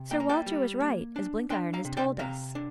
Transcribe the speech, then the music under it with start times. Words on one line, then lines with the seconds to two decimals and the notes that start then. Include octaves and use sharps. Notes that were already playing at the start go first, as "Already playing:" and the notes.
'Sir Walter was right, as Blenkiron has told us.
Already playing: C3
0.11 A#3 G5
0.20 A#5
0.29 D5 G5
0.46 G3
0.80 A#3
1.16 D4
1.50 D4 G5 C6
1.74 F5 A#5
1.85 C3
1.97 D5 G5
2.19 C3 F5 A#5
2.55 D4